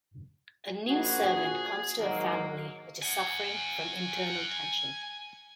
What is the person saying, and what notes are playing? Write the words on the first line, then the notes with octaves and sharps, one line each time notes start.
A new servant comes to a family which is suffering from internal tension.
A#1 F#4 G#4
G#4
G#2 D#3 F#3 A#3
F#5 G#5